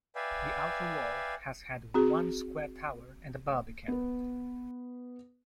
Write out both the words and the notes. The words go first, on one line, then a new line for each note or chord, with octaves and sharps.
The outer wall has had one square tower and a barbican.
B4 D5 E5 F5 G5 G#5
C4 F#4 G#4
B3 B4